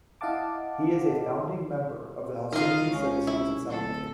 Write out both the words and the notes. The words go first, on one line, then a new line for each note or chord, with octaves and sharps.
He is a founding member of the Helsinki Citizens Assembly.
E4 D#5 F5 F#5 A5 D6
D#3 F4 A#4 D#5 F5
C#2 C#4
E4
D1 A4